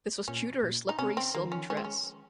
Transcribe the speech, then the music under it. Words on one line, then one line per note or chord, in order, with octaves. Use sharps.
This was due to her slippery silk dress.
A#2 C#4
A#2
D#4
C3 C#4
C4
D#3 A#3
F3
D#3 C#4
G#3 C#4
C4
C#4